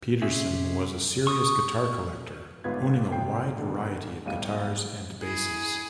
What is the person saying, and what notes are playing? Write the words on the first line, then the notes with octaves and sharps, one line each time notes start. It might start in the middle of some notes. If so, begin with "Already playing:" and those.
Petersson is a serious guitar collector, owning a wide variety of guitars and basses.
C3 C#4 G#4 E5
C#6 D#6
G1 G#2 B3 F4 B4 G#6
G#1 A2 C3 G5 C7
B2 D3 D#3
B1 A2 G3 F5 D#7
E4 G#4